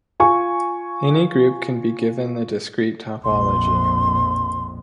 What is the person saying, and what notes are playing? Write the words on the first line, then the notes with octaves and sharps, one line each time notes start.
Any group can be given the discrete topology.
F4 G#5 C#6
A#1 F2 C6